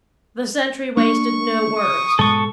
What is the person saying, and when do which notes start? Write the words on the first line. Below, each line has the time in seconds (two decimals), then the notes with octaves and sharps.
The sentry wasted no words.
0.97 A#3 D4 C#6
1.79 D#6
2.19 G#2 B2 G#3 A4 C#6